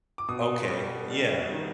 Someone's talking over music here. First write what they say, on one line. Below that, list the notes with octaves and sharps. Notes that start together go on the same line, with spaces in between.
Okay, yeah.
D6
B2 D#6
G3
G3
D#3